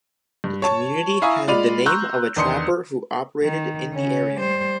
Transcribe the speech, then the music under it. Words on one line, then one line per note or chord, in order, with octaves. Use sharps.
The community has the name of a trapper who operated in the area.
G2
C#5 A5 C#6
E4 F5 G#5 A#5 C#6 D#6
G#3 F4 D5 B5 D#7 F7
A#5 C6 C#6 E6 F#6 G6
E2 D#3 D4 C6 D#6 C#7
D#3
C#3 C#4
G3 C5